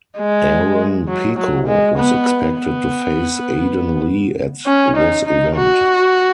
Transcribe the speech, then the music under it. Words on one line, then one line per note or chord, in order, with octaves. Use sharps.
Aaron Pico was expected to face Aiden Lee at this event.
G#3
F#3
F#3
G#3
B3
B3
C#4
D#4
D#4
F#4